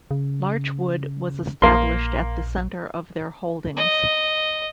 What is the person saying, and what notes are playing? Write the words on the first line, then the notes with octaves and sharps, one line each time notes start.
Larchwood was established at the center of their holdings.
C#3
A#1 A#3 C6
D#5